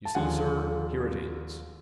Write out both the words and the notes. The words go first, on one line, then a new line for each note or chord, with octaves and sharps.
You see, sir, here it is.
A5
D#2 D3 F3 G#3 F#5 G#5